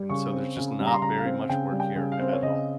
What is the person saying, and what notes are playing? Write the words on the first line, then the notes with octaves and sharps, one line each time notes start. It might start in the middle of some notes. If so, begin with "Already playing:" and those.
And so, there's just not very much work here at all
Already playing: G3
C#3 C#6
C4
C#3
G3
A#5
C6
C#3 A#5
F5
C4
C#3 G5
G3
G5
C#3
F5
C4 C5
C#5
C#3 D#5